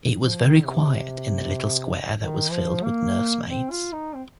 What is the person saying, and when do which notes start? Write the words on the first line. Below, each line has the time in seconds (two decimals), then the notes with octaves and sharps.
It was very quiet in the little square that was filled with nursemaids.
0.21 F3
0.43 D#3
0.65 C3
2.18 D#3
2.51 F3
2.84 A#3
3.49 C4
3.71 F4
3.93 D#4
4.15 C4